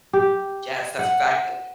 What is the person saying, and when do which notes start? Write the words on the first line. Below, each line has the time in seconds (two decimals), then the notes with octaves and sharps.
Yes, that's exactly
0.13 G4
0.99 F#5